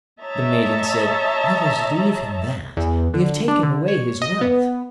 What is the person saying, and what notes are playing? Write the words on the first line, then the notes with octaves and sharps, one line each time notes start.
The Maiden said: 'Let us leave him that; we have taken away his wealth.'
C#5 D#5 E5 A5 A#5
E2
D3
D4
D3
C#5
D#5
B3